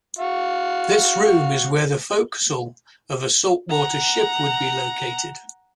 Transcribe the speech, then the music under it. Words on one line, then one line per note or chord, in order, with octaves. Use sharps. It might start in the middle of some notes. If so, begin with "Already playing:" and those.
This room is where the forecastle of a saltwater ship would be located.
F#4 F5
F#5 A#5